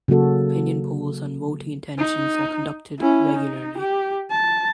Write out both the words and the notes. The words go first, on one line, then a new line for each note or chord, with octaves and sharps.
Opinion polls on voting intentions are conducted regularly.
C#3 F#3 A#3 F#4 A4
D#4
C#4 E4
D#4
G4
A5